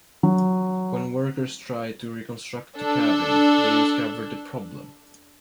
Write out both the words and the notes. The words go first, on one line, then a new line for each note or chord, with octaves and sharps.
When workers tried to reconstruct the cabin, they discovered the problem.
F#3
D4 A4